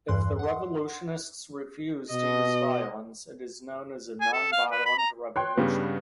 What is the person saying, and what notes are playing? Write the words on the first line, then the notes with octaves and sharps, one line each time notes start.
If the revolutionists refuse to use violence, it is known as a nonviolent revolution.
E2 G2 E3 C6 F#6
F#5 C6
B2 D#5
G#5
A4
F5
B4
B5
A#5
C#5 G5 C6 F#6
G2 C#3 G3 B3